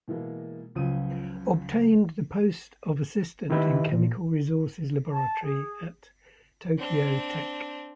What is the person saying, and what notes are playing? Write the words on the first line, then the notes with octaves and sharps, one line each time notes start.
Obtained the post of assistant in Chemical Resources Laboratory at Tokyo Tech.
B2 E3 G#3 A#3
C#2 C#3 F3 F#3 D#6 D#7
D#3 E4 G4 B4 D#5 E5
A#2
A5
G#4
C4 D4